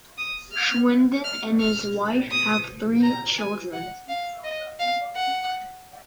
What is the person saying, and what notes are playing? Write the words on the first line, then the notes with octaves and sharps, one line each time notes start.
Schwinden and his wife have three children.
D#6
F6
F6
F6
D#6
A#5
G#5
F#5
F5
D#5
F5
F#5